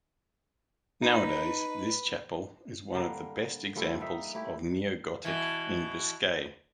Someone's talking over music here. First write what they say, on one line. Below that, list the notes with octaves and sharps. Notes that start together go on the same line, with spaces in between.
Nowadays this chapel, is one of the best examples of neogotic in Biscay.
D#4 B4
D3 G3 A#3 A#4
F3 G3 A3 A4
A#3 D#4 E5
A3 E4 G4
B2 E3